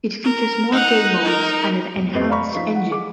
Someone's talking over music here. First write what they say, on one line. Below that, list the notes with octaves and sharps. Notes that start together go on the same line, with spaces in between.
It features more game modes and an enhanced engine.
A#4
D#4 F#5
A#4
E1
F2 C4 G4 B4 D#5 C7
D5 F5 A#5 B5 C#6
F3 D#4 B6
F#5
G#4 D6